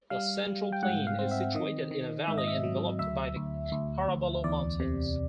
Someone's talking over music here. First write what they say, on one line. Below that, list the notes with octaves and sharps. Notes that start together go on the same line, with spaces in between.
The central plain is situated in a valley enveloped by the Caraballo Mountains.
G3 F5
G3
G5
G#2 F#5
F5
C4
E5
D#3 D#5
D#3
G#2 E5
D#5
E5
F#3
D2 E5
D2
D2
D2
E2 D5
C3